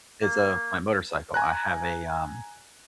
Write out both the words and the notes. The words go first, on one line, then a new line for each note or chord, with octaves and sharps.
is of my motorcycle. I have a, um
A#3
G#5 A#5 F#6